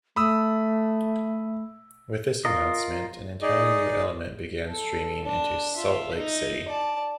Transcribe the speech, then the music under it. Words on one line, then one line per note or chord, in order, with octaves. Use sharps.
With this announcement, an entirely new element began streaming into Salt Lake City.
A3 B5 D#6 E6
F4 A#4 D#5
D#4 G#4 D5 D#5
A4
D4 A5
F4 E5
D#4
D5 A5